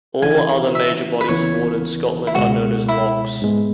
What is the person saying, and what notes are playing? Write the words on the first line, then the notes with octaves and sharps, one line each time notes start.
All other major bodies of water in Scotland are known as lochs.
C#3 E3 C#4 E4 G#5
E5
B4
C#2 C#3 E3 B3 E4 C#5
E4
C#2 B2 G#3 F#4
E4
G#2 G#3 B3